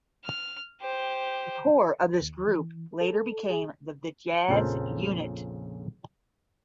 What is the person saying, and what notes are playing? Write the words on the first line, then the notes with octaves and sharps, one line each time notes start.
The core of this group later became the ""Vityaz"" unit.
F6
G4 C5
D#2
E3
A4
G#4
A#1 F2 C#3 A4 A#4 C5